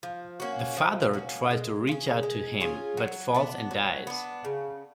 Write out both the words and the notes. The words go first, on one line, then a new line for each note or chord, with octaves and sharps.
The father tries to reach out to him, but falls and dies.
F3
A#3 C#4 F#4
F3
A#3 C#4 F#4
G#3
C#4 F4 G#4
G#3
C#4 F4 G#4
F#3
B3 D4
F#3
B3 D4
C#3